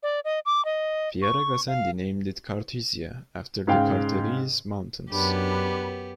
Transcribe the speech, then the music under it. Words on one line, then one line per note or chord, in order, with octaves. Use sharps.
Pierre Gassendi named it Carthusia after the Chartreuse Mountains.
D5
D#5
D6
D#5
C#6
F5
G#2 C#3 F5 G5
F#2 B3 D4 G4 B5